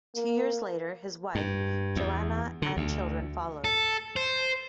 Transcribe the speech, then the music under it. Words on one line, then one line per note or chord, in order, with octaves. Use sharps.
Two years later, his wife Johanna and children followed.
A#3
G2
E2
D3
D2
A4
C5